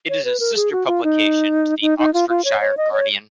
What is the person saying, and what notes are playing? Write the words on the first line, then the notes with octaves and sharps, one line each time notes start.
It is a sister publication to the "Oxfordshire Guardian".
C#5
B4
A#4
G#4
F#4
F4
D#4
D#4
D#4
F4
F4
C#5
C#5
D#5
C#5